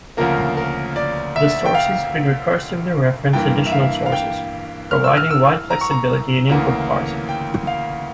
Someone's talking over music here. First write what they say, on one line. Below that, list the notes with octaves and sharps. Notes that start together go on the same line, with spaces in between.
The sources could recursively reference additional sources, providing wide flexibility in input parsing.
D2 C#3 F3 A#3 A#4
A#4
D5
E5
G5
F5
G2 E3 A#3 G5
E5
F5
F5
G5
F6
E6
F6
E6
A#5
C#6
A#5
D2 C#3 E3 A#3
G5
F5